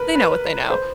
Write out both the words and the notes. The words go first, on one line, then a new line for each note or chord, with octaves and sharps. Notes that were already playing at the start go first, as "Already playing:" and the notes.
they know what they know,
Already playing: A#4 B4
B4
C5